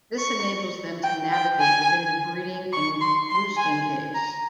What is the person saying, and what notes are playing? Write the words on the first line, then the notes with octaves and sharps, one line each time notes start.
This enables them to navigate within the breeding and roosting caves.
C#6
G5
G5
G#5
C#6
C6
C6
G#5
A#5